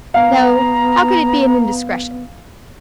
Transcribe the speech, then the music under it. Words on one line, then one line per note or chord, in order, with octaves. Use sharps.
No, how could it be an indiscretion?...
B3 F5 A#5